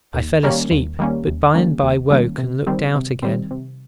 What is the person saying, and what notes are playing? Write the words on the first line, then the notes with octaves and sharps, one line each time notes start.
I fell asleep, but by and by woke and looked out again.
D#2
D#3 G3 A#3 C#4
D#2
D#3 G3 A#3 C#4
D#2
D#3 G3 A#3 C#4
D#2
D#3 G3 A#3 C#4
C3
D#3 G3 C4
C3
D#3 G3 C4
C3